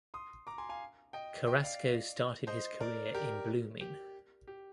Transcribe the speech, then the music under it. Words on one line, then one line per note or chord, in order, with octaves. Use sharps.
Carrasco started his career in Blooming.
C6 D#6
A#5 D6
G#5 C6
F5 G#5
D#5 G5
D#5 G5
D5 F5
C5 D#5
A#4 D5
G4 A#4
G4
G4